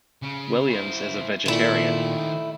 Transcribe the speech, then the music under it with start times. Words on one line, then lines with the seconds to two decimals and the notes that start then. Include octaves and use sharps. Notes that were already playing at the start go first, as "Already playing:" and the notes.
Williams is a vegetarian.
0.22 C#3
0.70 E4 C5
1.46 A#2 D#3 A3 E4 C5